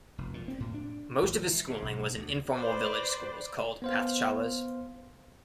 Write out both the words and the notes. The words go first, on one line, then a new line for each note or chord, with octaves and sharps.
Most of his schooling was in informal village schools called pathshalas.
F1
A#2
C4
A2
D4
G#1
E3
C#3
B1
D2
B4 C5 D5
B3 C5 F5